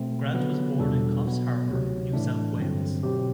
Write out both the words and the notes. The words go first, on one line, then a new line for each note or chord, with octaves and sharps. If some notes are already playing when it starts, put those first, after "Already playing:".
Grant was born in Coffs Harbour, New South Wales.
Already playing: B2 A3 C4
D3 F#3 B3
E2 B2 G3 D4 A4
B2 F#3 B3
D2 C3 F#3
A2 E3 A3 D4
G2 D3 F#3 C4
B2 F#3 C4 G4